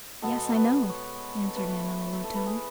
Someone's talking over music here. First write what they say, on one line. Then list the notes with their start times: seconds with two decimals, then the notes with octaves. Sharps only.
"Yes, I know," answered Anne in a low tone.
0.22 B2 G#3 B3 A4
0.56 B4
0.89 C#5
1.48 A4
1.56 A2 E3 A3 B4
2.24 A4
2.35 B4
2.46 G#4